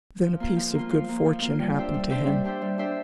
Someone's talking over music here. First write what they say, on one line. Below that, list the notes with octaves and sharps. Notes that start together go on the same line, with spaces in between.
Then a piece of good fortune happened to him.
F3
A#3 F4
F3
A#3
F4
F3
A#3 F4
F3
A#3 F4
G3
D4 G4 C5 E5
G3
D4 G4 C5 E5
G3
D4 G4 C5 E5
G3
D4 G4 C5 E5